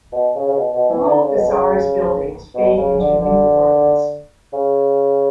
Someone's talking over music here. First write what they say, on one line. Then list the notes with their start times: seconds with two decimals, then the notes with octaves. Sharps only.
World Bazaar's buildings fade into New Orleans.
0.13 B2
0.35 C#3
0.48 C#3
0.56 B2
0.73 B2
0.90 E3
1.06 D3
1.23 C#3
1.35 B2
1.47 C#3
2.55 B2
2.77 C#3
2.99 D3
3.21 D3
4.53 C#3